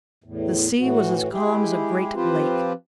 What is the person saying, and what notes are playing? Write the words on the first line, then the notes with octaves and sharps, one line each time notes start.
The sea was as calm as a great lake.
E2 A2
A2 E3 F#4
G#3 E4 G4 G#4
F3 C4 F4 G4 B4 C5